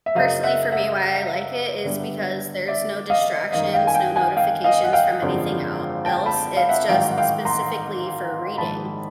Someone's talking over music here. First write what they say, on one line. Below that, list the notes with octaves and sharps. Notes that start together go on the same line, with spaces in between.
personally for me, why I like it is because there's no distractions, no notifications from anything el else, it's just specifically for reading,
E5
F#2 C#3 F#3 A#3 D#5 F5
E5 F#5
E5 F#5
G2 D3 G3 B3 D4
D5 E5
D#5 F5
F#2 D#3 G3 D#5 F5
F5 G5
G#5
F5 G5
F#5 G#5
F5 G5
D#5 F5
F#5
F5 G5
G#1 F#2 D3 F3 G#3
G5 A5
A5 B5
F5
E5 F#5
A1 G#2 D#3 F#3 F5 G5
F#5
F5 G5
A#5 C6
A#1 G#2 D#3 A5 B5